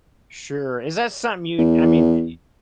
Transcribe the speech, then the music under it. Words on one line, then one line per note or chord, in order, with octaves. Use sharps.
Sure. Is that something you, I mean,
E2